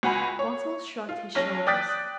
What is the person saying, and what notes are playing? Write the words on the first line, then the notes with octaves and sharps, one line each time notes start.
Wattles shrugged his shoulders.
C#2 F#4 G#5 B5
C#5
F4
B1 C#4 A#6
D5 G5 D#6 F#6 A6 B6